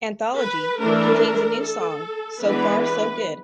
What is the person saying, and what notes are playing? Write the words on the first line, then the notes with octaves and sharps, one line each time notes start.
"Anthology" contains a new song, "So Far So Good".
B4
E3 A3 D4 A#4
A4
E3 G#3 B3 D4 B4
B4